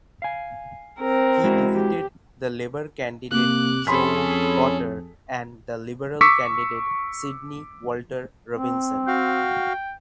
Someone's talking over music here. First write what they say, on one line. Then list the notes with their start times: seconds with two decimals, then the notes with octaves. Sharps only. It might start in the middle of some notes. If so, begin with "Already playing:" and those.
He defeated the Labour candidate Joe Cotter and the Liberal candidate Sydney Walter Robinson.
0.22 F5 G#5
1.00 C4 A#4
1.44 G#3 E4 F#4
1.74 G4
3.32 C3 A#3 D6 F#6
3.87 F2 C#4 G#4 A4 B5 C6 B6
6.21 C#6 D6 E6 B6 C#7
8.53 C4
9.07 F#4 F5 G5